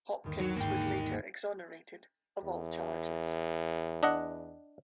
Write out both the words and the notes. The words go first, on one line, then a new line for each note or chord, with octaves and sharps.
Hopkins was later exonerated of all charges.
G1 D#2
F#3 F#4
G#1 G#2 A#3 G5 C7
E2
D4 D#5 F#5